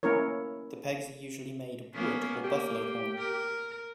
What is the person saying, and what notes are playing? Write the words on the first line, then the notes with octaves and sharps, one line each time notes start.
The pegs are usually made of wood or buffalo horn.
A#3 C#4 E4 A#4 C#5
A#3 B3 C#4
A#3 G4
A#4